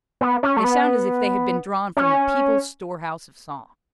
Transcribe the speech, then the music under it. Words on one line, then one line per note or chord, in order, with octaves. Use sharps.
They sound as if they had been drawn from the people's store-house of song.
B3
C#4
A3
B3
C#4